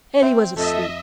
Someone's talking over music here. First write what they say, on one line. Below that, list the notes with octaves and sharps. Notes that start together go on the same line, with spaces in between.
Elly was asleep.
C4 E5
F2 A3 A4 D#5 E5